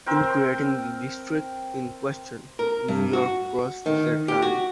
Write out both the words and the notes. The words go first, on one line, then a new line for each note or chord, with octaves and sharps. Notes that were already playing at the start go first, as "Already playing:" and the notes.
In creating the district in question, New York crossed that line.
C4 A#4 C5 G5
A#4
G2
F#4
D#3
G4
F#4